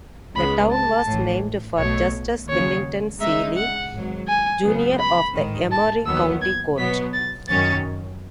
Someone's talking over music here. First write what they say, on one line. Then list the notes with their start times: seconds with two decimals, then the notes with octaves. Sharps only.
The town was named for Justus Wellington Seeley, Junior of the Emery County Court.
0.36 C#2 C#3 G#3 B3 B5
0.71 A5
1.07 A1 A2 E3
1.78 B1 B2 A3 C#5
2.49 D#2 C#3 F#3 C#5
3.21 C#3 G#3 D#4 E5
3.57 F#5
3.93 G#1 G#2 F#3
4.28 G#5
4.64 C#2 C#3 F#3 B3
5.00 B5
5.35 A1 G#2 D#3
5.71 A5
6.06 D#2 D#3 F#3 B3 E6
6.42 G#6
6.78 B2 F#3 B3 B6
7.13 A6
7.49 F#2 D#3 F#3 C#4 A6